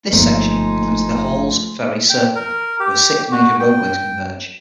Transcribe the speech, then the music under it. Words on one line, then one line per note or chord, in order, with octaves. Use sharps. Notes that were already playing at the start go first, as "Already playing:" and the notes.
This section includes the Halls Ferry Circle, where six major roadways converge.
G1 F3 A3 A#3 D#4 G#5 C6
G5
A#4
G4
F#4
G5